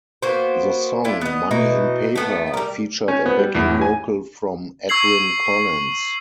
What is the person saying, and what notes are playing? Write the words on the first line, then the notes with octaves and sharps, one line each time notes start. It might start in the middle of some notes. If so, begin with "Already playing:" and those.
The song 'Money In Paper' featured a backing vocal from Edwyn Collins.
A#3 B3 F#4 C5
D4 E4 F4
B3 D#5
B2 E3 D#4
A3 B3 A4
G3 A#4
C#4
B3
G3
E2
A2
G#5
C#6 E6 G#6 C7 F#7